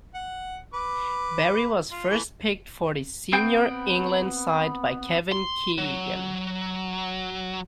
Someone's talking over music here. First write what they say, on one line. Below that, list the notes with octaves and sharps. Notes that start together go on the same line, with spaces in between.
Barry was first picked for the senior England side by Kevin Keegan.
F#5
B4 D6
F4
E3 A3
B3 C4 G5
C6
F#3